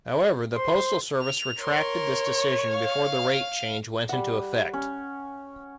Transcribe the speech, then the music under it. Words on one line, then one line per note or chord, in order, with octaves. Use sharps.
However, the postal service retracted this decision before the rate change went into effect.
C5 C6
F7
A#4 C#5 C6
F5 F6
G3 F#5
C#4